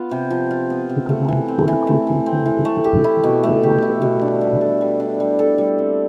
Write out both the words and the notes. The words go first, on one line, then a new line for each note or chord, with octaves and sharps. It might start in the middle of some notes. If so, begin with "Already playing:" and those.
It provides horticultural therapy for patients, but is also open to the public.
Already playing: B3 F4
C3
F3
F4
B3
C3
A3
E3
C4
E3
A3
E3
C4
E3
A3
G4
E4
B2
A3
G4
E4
B2
D4
G3
A4
G3
D4
G3
A4
G3
C4